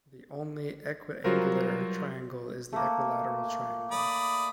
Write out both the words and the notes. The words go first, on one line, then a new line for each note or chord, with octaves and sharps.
The only equiangular triangle is the equilateral triangle.
F#3 G3 F4 F#4 A#4 C5
A3 A#3
D5 B5 D#6